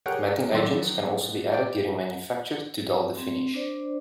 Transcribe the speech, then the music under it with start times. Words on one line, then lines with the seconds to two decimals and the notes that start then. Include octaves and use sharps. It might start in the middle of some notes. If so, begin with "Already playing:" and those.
Matting agents can also be added during manufacture to dull the finish.
0.06 G4 G#4 A#4 C#5 F#5 G5
0.52 F#2 D#3 D5 C6 E6
1.52 D5 G5
3.18 C4
3.54 D4 C5 D5